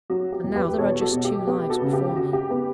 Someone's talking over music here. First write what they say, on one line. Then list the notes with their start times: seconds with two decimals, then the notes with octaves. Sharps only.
And now there are just two lives before me.
0.10 F#3 F#4
0.32 G4
0.44 E2
0.56 G4 B4
0.78 B2 A4 C#5
1.01 F#4 A4
1.13 B2
1.25 G4
1.47 B3 G4
1.70 F#4 A4
1.82 C#3
1.93 G4
2.16 C#3 F#4
2.33 G4
2.50 B3 G4